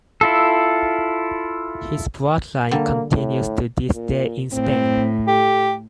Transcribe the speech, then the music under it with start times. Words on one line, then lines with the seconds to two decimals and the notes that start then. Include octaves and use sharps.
His bloodline continues to this day in Spain.
0.21 E4 F4 A4
2.71 D3 G3 A#3
3.13 A2
3.95 A#2
4.53 A2 C4
5.27 G4 A4